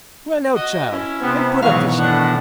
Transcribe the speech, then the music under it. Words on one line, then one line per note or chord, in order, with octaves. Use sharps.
Run out, child, and put up the sheep.'
F#4 D#5
C#4 E4
C3 B3 C4
C#2 G#2 B2 D#3 E3 F#3 F5 C#6
A2 D4 F#5